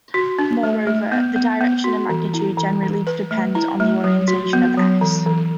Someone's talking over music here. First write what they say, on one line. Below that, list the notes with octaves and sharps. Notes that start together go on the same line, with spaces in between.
Moreover, the direction and magnitude generally depend on the orientation of "S".
F#4
D4
A3
A3
B3
B3
B3
F#4
E3
E4
E3
E3
B4
A3
E4
A3
F#3
F#4
B3
F#3
E3
E3